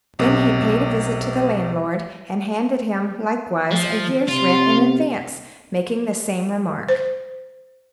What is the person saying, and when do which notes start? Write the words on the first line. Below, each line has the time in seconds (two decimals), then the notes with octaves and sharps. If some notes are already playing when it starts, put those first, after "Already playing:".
Then he paid a visit to the landlord, and handed him, likewise a year's rent in advance, making the same remark.
0.19 B1 C3
3.71 F3
4.28 C3 F4
6.89 C5